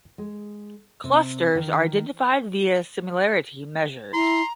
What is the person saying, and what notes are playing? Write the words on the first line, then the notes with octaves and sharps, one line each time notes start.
Clusters are identified via similarity measures.
G#3
C3
D#3
E4 A#5 C6